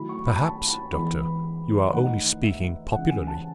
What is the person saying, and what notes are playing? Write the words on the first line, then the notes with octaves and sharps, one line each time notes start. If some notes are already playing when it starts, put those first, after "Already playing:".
"Perhaps, doctor, you are only speaking popularly?"
Already playing: D#3 F#3 A3 E4 B5
C#6
B5
A5
B5
E3 G#3 B3 B5
D#3 A3 D#4 F#5
E5
C#3 E3 G#3 F#5
G#5
A5